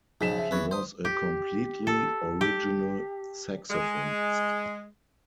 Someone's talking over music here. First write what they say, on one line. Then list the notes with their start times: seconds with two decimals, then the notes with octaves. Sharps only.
He was a completely original saxophonist...
0.21 B1 C#3 F3 B6 E7
0.38 E5
0.51 E2 B4 C#5
0.71 C5 D#6
1.05 G4
1.87 A4
2.41 G4
3.70 G#3